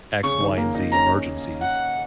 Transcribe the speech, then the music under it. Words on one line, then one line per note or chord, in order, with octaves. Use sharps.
x, y, and z emergencies.
C#3 C#6
D#3
A#3
D#4
C#4 A#5
F#5